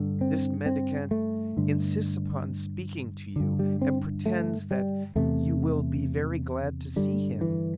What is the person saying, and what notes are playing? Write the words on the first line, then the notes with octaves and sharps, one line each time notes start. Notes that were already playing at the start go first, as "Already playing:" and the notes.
"This mendicant insists upon speaking to you, and pretends that you will be very glad to see him."
Already playing: G2 D3
C4
C4
A3
G2 D3
G2 D3
G3
C4
A3
G3
E2 C3 A3
G2 D3 G3
E3